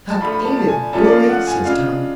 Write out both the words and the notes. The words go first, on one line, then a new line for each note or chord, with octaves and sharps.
"Huck, ain't it bully!" says Tom.
A5
F3 A3 D4 F4 B5
B5
A5
A5
G#5
F3 A3 C#4 F4 A5
D5
F5
F#5
G#5
C#3 G#3 D4 F4 F5